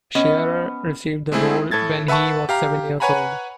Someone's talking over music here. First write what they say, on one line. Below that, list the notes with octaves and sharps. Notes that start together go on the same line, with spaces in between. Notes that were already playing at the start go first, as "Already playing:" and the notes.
Shearer received the role when he was seven years old.
B3 C#4 D#5
G#3 A3 C4 E4 G#4
A2 A4 G#6 A6
B4 E5 F#5 A5 C#6
G4 F5 A#5
B4 C#5 F#5 G#5 A#5 B5